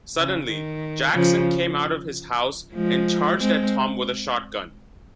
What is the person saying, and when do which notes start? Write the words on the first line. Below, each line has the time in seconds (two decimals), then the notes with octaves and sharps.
Suddenly, Jackson came out of his house and charged at Tom with a shotgun.
0.16 C#3
0.48 D#3
1.13 C#3 F3
2.74 F3 G#3
3.38 G#3 C4